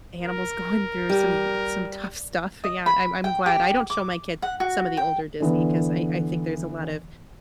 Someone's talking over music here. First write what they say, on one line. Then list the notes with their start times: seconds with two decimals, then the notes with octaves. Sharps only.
animals going through some some tough stuff. Yeah, I'm I'm glad, I don't show my kid some of the older Disney, 'cause I I think there's a lot of
0.22 A#4
1.09 G3
2.64 D#5
2.86 B5
3.24 G5
3.46 G4
3.90 D6
4.42 F#5
4.60 F#4
4.97 G5
5.40 D3 E3 B3